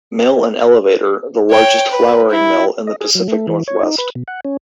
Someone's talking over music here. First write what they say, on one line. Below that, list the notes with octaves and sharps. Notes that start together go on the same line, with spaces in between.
Mill and Elevator, the largest flouring mill in the Pacific Northwest.
C#5 G5
B4
E4
D#5
G#4
F#3
A3
E3
C#5
D#4
B4
B2
F#5
C#4